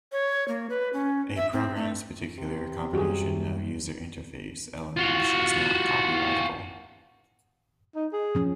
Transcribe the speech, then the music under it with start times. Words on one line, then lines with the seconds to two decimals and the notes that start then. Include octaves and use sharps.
A program's particular combination of user interface elements is not copyrightable.
0.12 C#5
0.48 A#3
0.70 B4
0.93 C#4
1.37 E5
1.52 C4
1.76 A3
2.38 C3
2.93 F#2 G3 F#4 G#4
4.97 F4 F#4
7.95 D#4
8.13 G#4
8.35 F3 C#4